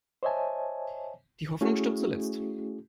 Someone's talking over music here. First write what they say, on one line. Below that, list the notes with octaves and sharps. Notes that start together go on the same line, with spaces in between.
Die Hoffnung stirbt zuletzt.
C5 C#5 D#5 E5 G#5 A5
A3 C#4 E4 F#4 G#4